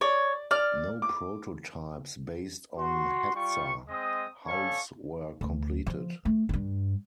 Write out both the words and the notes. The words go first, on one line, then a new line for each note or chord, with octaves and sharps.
No prototypes based on "Hetzer" hulls were completed.
C#5 D5
D5 F6
D6
F#4 C6
G3 F4 G5 C#6
G#3 C4 D#5 D#6
C#4 A4 C#5 D5 F5 C#6
D2
F3
A3
G2 E4